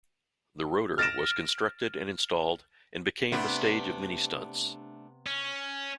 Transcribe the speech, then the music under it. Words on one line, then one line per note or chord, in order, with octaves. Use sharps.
The Rotor was constructed and installed, and became the stage of many stunts.
F6 A6 A#6 D7 E7
C3 A3 B3 D4
C#4